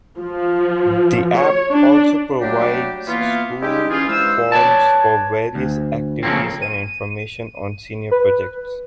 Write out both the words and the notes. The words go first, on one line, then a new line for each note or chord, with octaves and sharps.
The app also provides school forms for various activities and information on senior projects.
F3
C#5
D4
F#3 G3 A3 A#3 D4 G4
E3 A#3 B3 F4
G3 G#3 C#4 D#4 E4 G4
E3 C#4 F4 G#4
G2 E3 G#3 C5 F5 E6
B4 C#5 D5 A5
D2
C#3 F3 A3 A#3 C4
D#7
B4